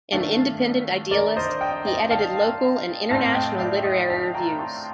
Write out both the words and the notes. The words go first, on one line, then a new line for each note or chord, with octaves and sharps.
An independent idealist, he edited local and international literary reviews.
G2 D#3 A3 D4 F5 A5
A#4 D5
C5 D#5
D#5 G5
D#5 G5
F5 A5
A2 A3 C4 F5 A5
D#5 G5
D5 F5
D#5 G5
F5 A5
G5 A#5
A5 C6